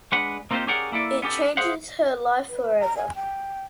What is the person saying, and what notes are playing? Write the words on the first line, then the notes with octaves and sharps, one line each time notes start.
It changes her life forever.
G#3 D4 B4 F#5
A#3 C4 D#4 F4 G4 C5
C#4 G4 G#4 A#4 D5 F#5
A#3 E4 A4 D5
B3 C#4 G4 A4
G#4 C5 F5 F#5
B4
A#5
G#5
G5